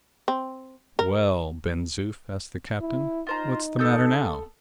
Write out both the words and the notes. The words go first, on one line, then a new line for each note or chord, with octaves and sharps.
"Well, Ben Zoof," asked the captain, "what's the matter now?"
C4
A#4
E4
D#4 F4 C5 A#5
A4 D#6 G6